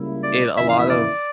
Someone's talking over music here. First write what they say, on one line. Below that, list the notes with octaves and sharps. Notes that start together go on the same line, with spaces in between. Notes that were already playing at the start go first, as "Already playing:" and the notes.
it a lot of
Already playing: C#2 C#3 G3 A#3 E4
D5
F2 C#3 E3 A#3 E4 E5
F5
E5
D5